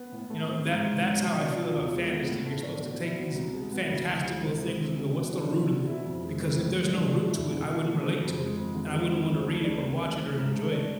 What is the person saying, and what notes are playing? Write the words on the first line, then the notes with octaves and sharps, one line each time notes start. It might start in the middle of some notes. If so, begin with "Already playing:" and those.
you know, that that's how I feel about fantasy. You're supposed to take these fantastical things and go, what's the root of it? Because if there's no root to it, I wouldn't relate to it, and I wouldn't want to read it or watch it or enjoy it.
Already playing: B3
A2
A3
C4
G#2
G#3
G#2
B2
D4
F4
E2
G#3
B3
A2
A3
D4
B2
E4
B2
C2
G#3
B3
D2
E3
G#3
C3
G#3
C4
B2
B3
D4
B2
C4
E4
F2
G#3
C4
A2
G#3
D4
B2
E4
B2
D3
A3
C4
F2
G#3
F2
D3
G#3
C4
D2
A3
D4
C2
A3
C4
G#2
A3
D4